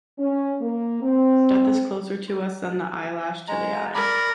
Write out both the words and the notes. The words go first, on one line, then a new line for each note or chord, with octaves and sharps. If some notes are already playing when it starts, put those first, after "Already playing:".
Death is closer to us than the eyelash to the eye.
C#4
A#3
C4
G#3 A#5
A#4 D5 A#5 B5